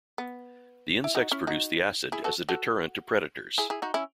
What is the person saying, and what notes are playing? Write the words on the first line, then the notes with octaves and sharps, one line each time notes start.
The insects produce the acid as a deterrent to predators.
B3
E4
D#4 F#4
C#4 E4
D#4 F#4
E4 G#4
F#4 A4
F#4 A4
E4 G#4
E4 G#4
D#4 F#4
C#4 E4